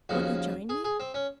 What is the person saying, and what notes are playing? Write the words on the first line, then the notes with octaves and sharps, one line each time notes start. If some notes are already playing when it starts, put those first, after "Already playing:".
Won't you join me?
D#2 C#3 F3 F#4
G#4
G#4
C4
C#4